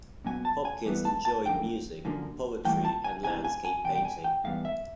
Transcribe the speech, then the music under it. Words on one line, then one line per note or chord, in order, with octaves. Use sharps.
Hopkins enjoyed music, poetry and landscape painting.
A#2 F#3 B3 G#5
A5
G#5
G2 E3 G3 B3
A5
A5
F#2 D3 F3 A#3 G5
F#2 D3 F3 A#3
A2 E3 G3 A#3 G5
A5
G#5
E2 C3 E3 G#3 G#5
G#5
G#5
E2 B2 G3 G5
G5
G#5
G5
G#2 E3 G3 B3 F5
E5